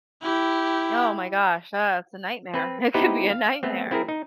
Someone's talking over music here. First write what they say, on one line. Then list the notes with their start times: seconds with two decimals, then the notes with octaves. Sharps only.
Oh my gosh, ugh, it's a nightmare, it could be a nightmare.
0.23 E4 G4
2.54 C4 B4
2.94 B3 D#4 E4 G4 B4 C5
3.30 F5
3.63 A3 B3 C4
3.91 C4 E4 G#4 A#4
4.08 D#4